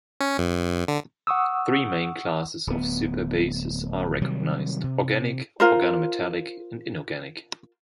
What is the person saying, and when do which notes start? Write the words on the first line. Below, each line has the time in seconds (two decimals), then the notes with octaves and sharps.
Three main classes of superbases are recognized: organic, organometallic and inorganic.
0.21 C#4
0.38 F2
0.88 D3
1.27 F#5 C#6 D#6 E6
2.67 D1 B3
4.22 C3 D#3 F#3 G3
4.84 C3
5.60 F4 A#4 C5